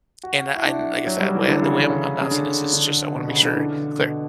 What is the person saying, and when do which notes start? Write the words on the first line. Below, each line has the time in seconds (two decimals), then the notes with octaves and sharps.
And, uh, I n I guess I wa the way I'm announcing this is just I wanna make sure clear,
0.23 F#4
0.56 E4
0.65 D4
1.07 F#3
1.20 G3
1.35 E3
1.48 D3
1.62 C#3
1.90 C#3
2.21 C#3
2.31 D3
2.73 D3
3.15 B2
3.29 C#3
3.43 D3
3.52 E3
3.57 D3
3.99 B2